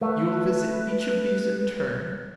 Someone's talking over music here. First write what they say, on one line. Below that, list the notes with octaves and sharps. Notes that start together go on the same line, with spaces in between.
"You will visit each of these in turn."
A3 B4